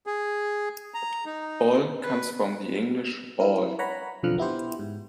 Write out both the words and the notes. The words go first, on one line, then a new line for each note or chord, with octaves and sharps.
"Ol" comes from the English "all".
G#4
A#5
D#4
B4
E4 A#4
C#5 F#5 A#5 B5
B1 F2 D3 F3 F6 F#6
B3 E4 G4 C5
G#2